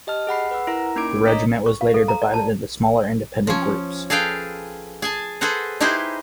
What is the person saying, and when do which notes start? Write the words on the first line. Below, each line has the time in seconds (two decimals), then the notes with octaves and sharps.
The regiment was later divided into smaller independent groups.
0.07 G4 D#5 A5 F6
0.27 G#4 F#5 B5 C7
0.51 B4 F#5 E6
0.67 E4 A#4 E5 A#5
0.96 A#3 C#4 D#4 A#4 D6 D7
1.26 D4 C#5 D#5 A#5 D#6 B6
1.66 C#6
1.81 F5
1.94 A4
2.08 A#5
2.22 D5
2.34 A5
3.47 F3 C#4
4.10 G#4 A4 B4 F5 G5
5.02 G#4 G#5 A5
5.41 G#4 A4 B4 C5 F#5
5.80 D#4 E4 G4 G#4 B4 C5